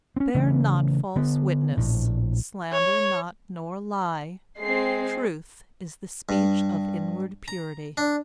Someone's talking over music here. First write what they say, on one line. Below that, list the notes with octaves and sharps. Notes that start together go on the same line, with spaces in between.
Bear not false witness, slander not, nor lie; Truth is the speech of inward purity.
C4 C#4
C#3 E3 A3
D3 B3
A#1 A2
C#5
G#3 C4 C7
G2
A#5
D4